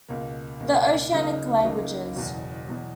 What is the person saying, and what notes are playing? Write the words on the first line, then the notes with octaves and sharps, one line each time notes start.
The Oceanic languages.
C#2 B2 A#3
C#2 B2 A#3
C#2 C#3 F#3 A#3 D#4
C#2 C#3 F#3 A#3 D#4
F#1 E2 B2 F#3
E2 B2 F#3